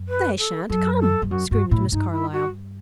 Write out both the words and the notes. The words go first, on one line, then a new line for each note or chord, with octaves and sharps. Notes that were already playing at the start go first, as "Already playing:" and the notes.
"They shan't come!" screamed Miss Carlyle.
Already playing: F#2
B4
A4
F#2 A4
A4
G2
F#2 F#4
G2 F#4
A2 E4
G2 D#4
E4
F#4